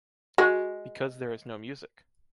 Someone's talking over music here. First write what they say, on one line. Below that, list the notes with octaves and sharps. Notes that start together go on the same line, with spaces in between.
Because there is no music.
G#3 F#4